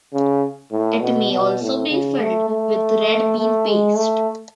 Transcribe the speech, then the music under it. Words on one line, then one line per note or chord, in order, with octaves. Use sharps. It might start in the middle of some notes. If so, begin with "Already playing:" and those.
It may also be filled with red bean paste.
C#3
A2
B2
B2
A2
C#3
A3
A3
A3
G#3
A3